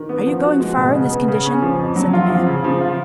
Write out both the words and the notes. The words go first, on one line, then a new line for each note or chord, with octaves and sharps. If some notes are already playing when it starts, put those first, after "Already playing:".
"Are you going far in this condition?" said the man.
Already playing: D#3
B3
F3
F#4
G#3
B2
C#3
B3
C#3
C#4
F3
F2
F#3
F4
F3
C#3
F3
F4